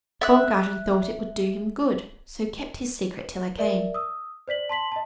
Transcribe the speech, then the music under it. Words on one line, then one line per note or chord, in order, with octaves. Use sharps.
Baumgarten thought it would do him good, so kept his secret till I came.
E5 F#6
A#4 D5 E5
D#6 E6
C5 D5 B6 F#7
A5 C6 B6 F#7
D#5 A5